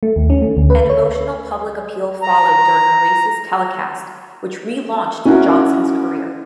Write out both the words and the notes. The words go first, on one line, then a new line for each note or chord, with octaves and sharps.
An emotional public appeal followed during the race's telecast which re-launched Johnson's career.
A3
D#2
C#4
A3
D2
B4
C#5
A#5
C#4 D#4 E4 F#4 A#4